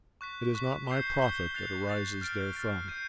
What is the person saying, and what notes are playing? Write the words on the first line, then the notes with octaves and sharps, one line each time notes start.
It is not my profit that arises therefrom.'
C#6 F#6 B6
C#6 F#6 B6
G6 C7 E7 G7
G6 C7 E7 G7
F#6 A6 C7 F7
F#6 A6 C7 F7
F6 A6 D7
F6 A6 D7
G6 C7 D#7